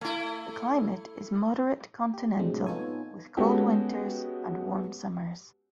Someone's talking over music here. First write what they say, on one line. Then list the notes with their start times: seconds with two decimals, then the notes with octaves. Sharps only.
The climate is moderate continental with cold winters and warm summers.
0.01 A3 E4
2.14 G4
2.38 A2 C3 F#3 G#3 C4 D4
2.67 B3 D#4 F4 A4 C#5 G#5
3.37 G#3 B3 C#4 F#4 G4 A4